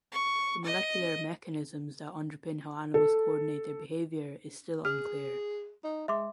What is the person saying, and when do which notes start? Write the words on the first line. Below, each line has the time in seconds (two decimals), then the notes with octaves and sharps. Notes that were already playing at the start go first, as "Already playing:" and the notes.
The molecular mechanisms that underpin how animals coordinate their behaviour is still unclear.
0.12 C#6
0.65 D#5
2.94 A4
4.85 G#4 F6
5.84 D#4
6.08 G#3 E5 C6 D6